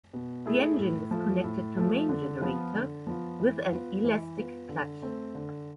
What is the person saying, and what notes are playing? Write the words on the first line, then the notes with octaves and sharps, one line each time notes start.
The engine is connected to main generator with an elastic clutch.
B2
A3 E4 G#4
A2
F3 A3
A2
F3 A3
D3
F3 B3 F4
D3
F3 B3 F4
E3
B3 F4 B4
E3
B3 F4 B4
D3
A3 C4
D3